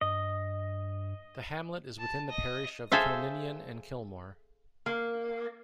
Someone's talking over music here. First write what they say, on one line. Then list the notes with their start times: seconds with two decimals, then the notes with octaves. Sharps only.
The hamlet is within the parish of Kilninian and Kilmore.
0.01 G2 D#5
1.99 A5
2.30 D#5
2.92 G#4 A4 C5 E5 F5
4.86 A#3